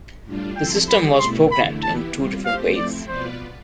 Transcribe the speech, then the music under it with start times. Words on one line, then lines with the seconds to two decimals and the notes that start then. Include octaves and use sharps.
The system was programmed in two different ways.
0.24 A2 G3 D4 F4
0.56 F3 C4 E4 A4 C5 G5
0.88 G3 C4 G4 D5 B5
1.19 B2 A3 E4 C6
1.51 D3 A3 E4 B5
1.82 E3 B3 E4 G4 A5
2.14 G3 C4 F4
2.46 F3 A3 C4 G4 C5 F5
2.77 F3 A3 C4 E4 D5
3.08 B2 B3 F4 B4 C5 D5